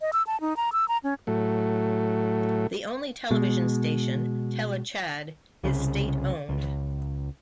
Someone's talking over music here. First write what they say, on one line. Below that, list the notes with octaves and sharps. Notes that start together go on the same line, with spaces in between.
The only television station, Tele Tchad, is state-owned.
D#5
E6
A5
D#4
A#5
E6
A#5
C#4
A2 F#3 A3
B2 G#3
C2 C#3
C#2